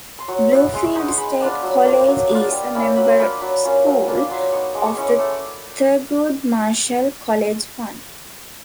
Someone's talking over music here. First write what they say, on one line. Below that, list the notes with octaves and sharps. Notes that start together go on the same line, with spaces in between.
Bluefield State College is a member school of the Thurgood Marshall College Fund.
C6
F#3 C#6
B3 E4 C#6
G#3 C6
C#6
B3 D#4 C#6
C6
G#3 B5
B3 D4 F4
F#3
A#3 D4 F4
F#3
B3 D4 F4
G3 A5
A#3 C#4 E4 B5
F#3 B5
C6
A#3 D4 F4 B5
F#3 B5
A#3 C#4 F4
F#3
A#3 D4 F4
F#3 C6
B3 D#4 C#6
G#3 D6
C#6
C#4 E4 C#6
D6
A3 C#6
D6